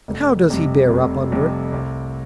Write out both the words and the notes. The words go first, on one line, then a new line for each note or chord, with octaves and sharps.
"And how does he bear up under it?"
F1
F2 C3 G3
F1
F2 C3 G3
C2